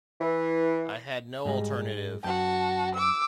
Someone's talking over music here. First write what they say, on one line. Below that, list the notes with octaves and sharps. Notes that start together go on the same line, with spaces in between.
I had no alternative.
E3
G#2 G3 G#3
F#2 F#4 G5 A5
D6 E6